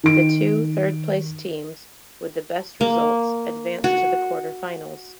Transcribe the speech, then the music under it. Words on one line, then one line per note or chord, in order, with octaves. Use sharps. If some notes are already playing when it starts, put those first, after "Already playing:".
The two third-placed teams with the best results advanced to the quarter-finals.
D#3 D7
A#3
F#4